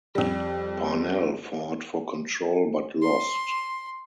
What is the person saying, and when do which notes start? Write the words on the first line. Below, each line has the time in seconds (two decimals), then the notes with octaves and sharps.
Parnell fought for control, but lost.
0.15 F2 G3
3.01 C6